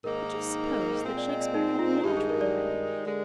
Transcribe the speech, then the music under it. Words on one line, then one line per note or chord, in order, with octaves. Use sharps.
But just suppose that Shakespeare had not run away!
G#2 D#3 A#3 D#4 A#4
A#2 G#3 C4
D5
D#5
D5
D#4
F4
G2 D#3 G#3 D#4 G4
G#4
A#4
D5
D3 G#3